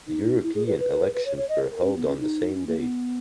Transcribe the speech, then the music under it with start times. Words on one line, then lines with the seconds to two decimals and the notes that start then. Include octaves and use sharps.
European elections were held on the same day.
0.07 D#4
0.42 E4
0.54 G#4
0.66 B4
0.78 B4
1.13 B4
1.25 C#5
1.37 C#5
1.49 D#5
1.72 A#4
1.84 C#4
1.95 B3
2.07 C#4
2.19 D#4
2.54 C#4
2.66 A#3
2.78 B3